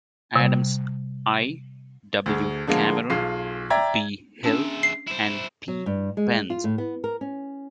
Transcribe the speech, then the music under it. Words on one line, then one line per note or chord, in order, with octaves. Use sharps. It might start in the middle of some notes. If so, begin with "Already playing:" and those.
Adams, I., W. Cameron, B. Hill and P. Penz.
C3 G3
D2 G#4
D3 F3 G#3 A#3
B1 F4 G#4 C7
D5 E5 G5 A#5 G#6
G#3 C#4 D4 E5 A5
C7
E4 C5
F#3
G2
G#3
F4
A2
B3
A#4
C#4